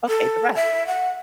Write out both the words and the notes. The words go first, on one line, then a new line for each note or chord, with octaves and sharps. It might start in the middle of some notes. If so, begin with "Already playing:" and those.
"Okay, the rat,
A4
E5
F#5